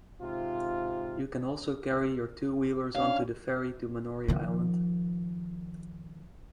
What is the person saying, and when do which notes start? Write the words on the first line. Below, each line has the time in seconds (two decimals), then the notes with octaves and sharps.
You can also carry your two wheelers onto the Ferry to Manori Island.
0.22 G#2 C3 F4
2.95 C#4 D4 F5
4.28 D#3 F3